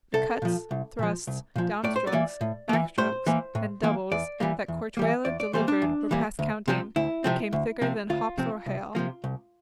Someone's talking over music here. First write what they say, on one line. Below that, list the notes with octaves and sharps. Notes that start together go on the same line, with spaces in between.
The cuts, thrusts, down strokes, back strokes and doubles, that Corchuelo delivered were past counting, and came thicker than hops or hail.
C2 A4
A#2 F3
C2
A#2 F3
C2
A#2 F3
A2 D5
C5
D5
E3 A#3
A2
E3 A#3
A2 C5
E3 A#3
A2
E3 A#3
E2 D5
E3 G3 A#3
E2
E3 G3 A#3
E2 D5
D5
E3 G3 A#3 C5
D4
E2
E3 G3 A#3
D2
C3 F3 C4
D2 E4
C3 F3 C4
D2
C3 F3 C4
D2 F4
C3 F3 C4
C2
C3 F3 A#3
C2